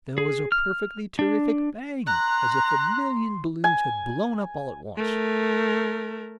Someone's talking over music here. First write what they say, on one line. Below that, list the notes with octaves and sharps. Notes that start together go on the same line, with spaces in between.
There was a perfectly terrific bang! as if a million balloons had blown up all at once.
G#4
F6
D4
A#5 C6 F#6
G#5
A3 A#4